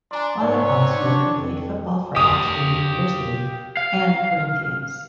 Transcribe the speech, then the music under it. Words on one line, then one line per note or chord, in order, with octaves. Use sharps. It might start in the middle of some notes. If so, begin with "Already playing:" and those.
While at Oxford he played football for Oxford University and Corinthians.
D4 G#5 A#5 C6
G#2 B3 C4 C#5 D5
D4
F2
G4 F5 D#6
F5